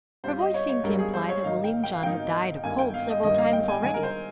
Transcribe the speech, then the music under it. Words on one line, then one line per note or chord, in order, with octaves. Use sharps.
Her voice seemed to imply that William John had died of cold several times already.
G2 G3 C#4 F4 C5
D#5
C#5
C#5
G2 G3 C#4 F4 A#4
G#4
C5
C#5
G#2 D#3 A#3 D#4 F5
G5
G5
F5
G#2 D#3 A#3 D#4 G5
G1 G2 D#3 A#3 G#5
G5
F5
D#5
G1 G2 D#3 A#3 D#5
F5
G5
G#5
G2 D#3 G#3 G#5
A#4
C5